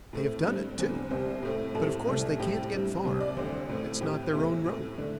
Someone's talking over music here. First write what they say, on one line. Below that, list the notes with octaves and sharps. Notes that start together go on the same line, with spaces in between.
They have done it, too; but of course they can't get far: it's not their own road.
A2 A3 C4
G2 G3 C4
E2 D3 C4
C2 C3 G3 C4 C5
A2 A3 C4
A2 G3 C4 A4
C2 C3 A3 C4
A2 G3 C4 G4
G2 G3 C4
C2 C3 G3 C4
D5
D2 D3 C4 C5
A2 A3 C4
A2 E3 C4 G4
E2 C3 A3 C4 E4
A2 A3 C4
D3 A3 D4